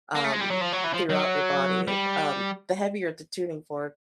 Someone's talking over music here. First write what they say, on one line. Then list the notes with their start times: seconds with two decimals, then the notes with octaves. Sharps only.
um, throughout your body, um, the heavier the tuning fork,
0.15 A#3
0.24 A3
0.33 G#3
0.40 G3
0.50 F#3
0.61 F3
0.72 F#3
0.84 E3
0.93 F3
1.10 F#3
1.88 G3